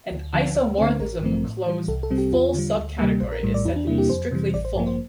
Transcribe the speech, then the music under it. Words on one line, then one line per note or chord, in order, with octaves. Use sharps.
An isomorphism-closed full subcategory is said to be strictly full.
D2
D3 F3
D2 D5
D3 A3 C4 C5
A1 A#4
G2 F3 A3 C4
A2
E3 G3
C2 A4
A4
C3 G3 C4
G4
E2 F4
D3 G3
D2
C3 G3 A#3
A#1 C5
A#4
A2 G3
D5
E2 E4
D4
C3 G3 A#3 E4
G4
F2 C5
C3 E3 G3
A1 D5
C5
G2 F3 A#3
C5